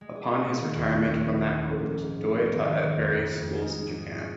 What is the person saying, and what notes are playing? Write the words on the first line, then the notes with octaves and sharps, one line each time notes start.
Upon his retirement from that court, Doi taught at various schools in Japan.
G#3
G#4
G#4
A#2
D#3
D#2
F1
D#2
A#1
C#4
A#1
F3
G#2
G#2
F3
G#2
F1
D#3
D#3
D#3
F2
F2
G#3
F2
G#3
G#3
G#2
G#4
C#4